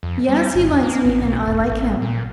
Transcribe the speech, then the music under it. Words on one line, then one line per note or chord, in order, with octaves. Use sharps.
Yes, he likes me and I like him.
F2
G3
G#1
F2
A#3
A1
B1
E1
A1
A#2